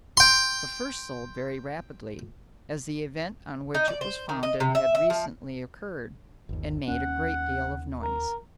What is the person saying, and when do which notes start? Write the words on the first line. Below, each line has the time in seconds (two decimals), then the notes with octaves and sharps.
The first sold very rapidly, as the event on which it was founded had recently occurred, and made a great deal of noise.
0.17 G5 C6
3.75 D#4
3.88 D5
4.01 C5
4.29 D#3
4.43 D#5
4.60 C3
4.75 E5
4.95 E5
5.10 F3
6.49 G1 D#2
6.88 D#2 C#4 F#5
8.03 A#4